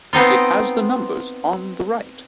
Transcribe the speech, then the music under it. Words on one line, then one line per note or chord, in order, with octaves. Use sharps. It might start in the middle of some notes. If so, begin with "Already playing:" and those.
It has the numbers on the right.
B3 C4 D#4 F4